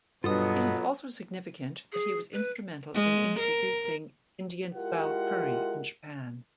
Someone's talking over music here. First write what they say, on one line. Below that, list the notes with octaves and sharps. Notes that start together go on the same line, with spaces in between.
It is also significant that he was instrumental in introducing Indian-style curry in Japan.
G2 B2 F#3 B3 F4 A4 D#6
G#4
B4
G#3
A#4
G#3 E4 F4 G4 A#4 F#5